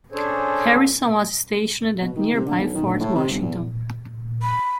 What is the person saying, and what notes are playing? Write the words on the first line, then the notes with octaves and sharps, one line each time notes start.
Harrison was stationed at nearby Fort Washington.
C#4 D4 G#4 A4 C5 C#5
B2
D#3
C3
D3
B1
D#3
D2
A2
C3
G1
E2
B5